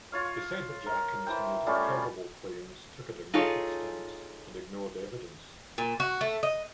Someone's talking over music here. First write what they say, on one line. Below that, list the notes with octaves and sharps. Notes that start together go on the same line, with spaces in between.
They said that Jackins made improbable claims, took a dogmatic stance and ignored evidence.
F4 C#5 F5
A#4
E3 C5 G5
G3 A3 C#4 F4
D#4 F4 G#4 A4 C#5
A#2
F#4
A3
D#5